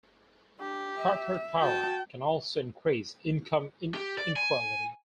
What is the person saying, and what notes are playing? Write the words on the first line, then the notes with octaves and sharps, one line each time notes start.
Corporate power can also increase income inequality.
D4 G4
E5
F#4 G5 A5
G4
D5
G#5